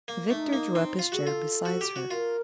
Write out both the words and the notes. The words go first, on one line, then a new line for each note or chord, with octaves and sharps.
Victor drew up his chair beside her.
A#3
A3 D#4
A#3
C4
F4
F#4 G#4
A4
F4
F#4
G4
F#4
F4 A#4